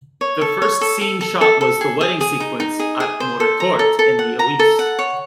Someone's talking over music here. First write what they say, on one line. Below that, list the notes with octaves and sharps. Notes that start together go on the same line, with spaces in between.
The first scene shot was the wedding sequence at Maurecourt in the Oise.
C#5
A4
C#5
A4
A4
A4
A4
A4
G#4
G#4
G#4
D#4
D#4
G#4
G#4
C5
A4
A#5
A4
A4
F#5
A#5
A4
F#5
C#5